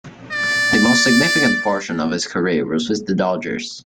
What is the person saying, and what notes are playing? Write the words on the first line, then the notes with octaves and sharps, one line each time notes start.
The most significant portion of his career was with the Dodgers.
D5